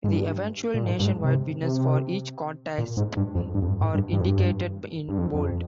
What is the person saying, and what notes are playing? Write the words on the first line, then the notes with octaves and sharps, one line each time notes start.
The eventual nationwide winners for each contest are indicated in bold.
G#2
G2
A#2
G#2
G2
G#2
C3
C3
A#2
G#2
G2
F2
G2
F2
G2
G#2
G2
G2
F2
G2
G2
F2
F2